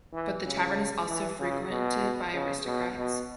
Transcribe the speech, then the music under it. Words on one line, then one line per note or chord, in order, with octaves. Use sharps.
But the tavern is also frequented by aristocrats.
E3
C#3
E3
C#3
B2
C#3
B2
B2